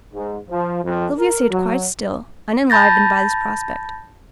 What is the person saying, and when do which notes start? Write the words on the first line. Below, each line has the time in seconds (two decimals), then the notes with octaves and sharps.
Sylvia sate quite still, unenlivened by this prospect.
0.14 G#2
0.50 F3
0.83 F2
1.18 A#4
1.50 F#3
2.70 A5 B5 G6 A6 A#6